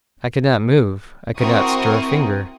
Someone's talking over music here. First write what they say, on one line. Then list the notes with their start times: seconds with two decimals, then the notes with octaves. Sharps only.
I could not move; I could not stir a finger.
1.37 C4 E4 F#4 A#4 C#6 D#6